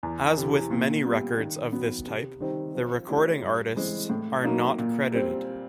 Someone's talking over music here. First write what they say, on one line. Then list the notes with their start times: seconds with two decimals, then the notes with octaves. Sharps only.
As with many records of this type, the recording artists are not credited.
0.03 E2
0.37 C3 E3
0.71 A#2
1.05 G3 B3
1.39 D#3
1.72 F#3 B3
2.06 C3
2.41 D#3 G3 C4 D#4
2.75 F3
3.08 A3 C#4 E4 G4
3.42 G2
3.76 E3 G#3 C4
4.10 A2
4.44 F#3 A#3 D#4
4.78 A#2
5.12 G3 C4